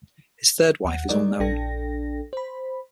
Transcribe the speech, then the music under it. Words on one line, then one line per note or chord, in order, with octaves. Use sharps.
His third wife is unknown.
D#2 F#5
G3 G#3 D#4 A#4 D5 D#5
A#1 D4 A4 G5 A#6
C5 B5